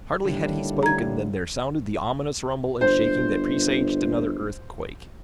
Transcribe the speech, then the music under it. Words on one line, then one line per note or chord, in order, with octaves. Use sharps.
Hardly had he spoken than there sounded the ominous rumble and shaking that presaged another earthquake.
D#2 A2 D3 G3
A#5 G#6
G1 C5